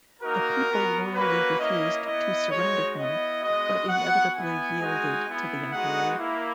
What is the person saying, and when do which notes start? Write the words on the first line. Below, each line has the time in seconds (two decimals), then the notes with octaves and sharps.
The people loyally refused to surrender him, but inevitably yielded to the emperor.
0.22 A#3 D#4 F#4 A#4
0.69 B3 F#4
1.13 A#3 C#4 F#4 B4
1.60 A#3 C#4 E4 D#5
2.05 B3 E4 D#5
2.51 G#3 D#4 F#4 C#5
2.97 B3 E4 D#5
3.43 G#3 B3 F#4 D#5
3.88 B3 F#4 F#5
4.34 B3 E4 G#5
4.79 G#3 D#4 F#4
5.26 B3 E4
5.72 G#3 B3 D#4 F#4 F#5
6.18 A#3 E4